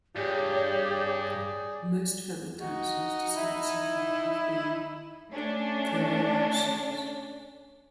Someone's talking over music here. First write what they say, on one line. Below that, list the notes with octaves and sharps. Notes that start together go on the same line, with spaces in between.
Most feathered dinosaurs discovered so far have been coelurosaurs.
G2 G4 G#4 C#5 D5
D#4 F#4
E4
A3 C#4 D4